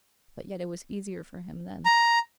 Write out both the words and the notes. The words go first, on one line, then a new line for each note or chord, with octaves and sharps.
But yet it was easier for him then.
A#5